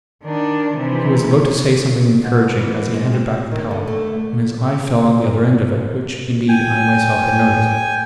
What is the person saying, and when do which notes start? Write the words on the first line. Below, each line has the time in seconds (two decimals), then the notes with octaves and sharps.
He was about to say something encouraging, as he handed back the towel, when his eye fell on the other end of it, which, indeed, I myself had noticed.
0.24 D#3 D4
0.77 C3 E3
2.24 G#2
2.59 E3
2.94 G#3
3.13 C4
3.51 D#3
3.71 D3
3.88 A3
6.49 G5 G#5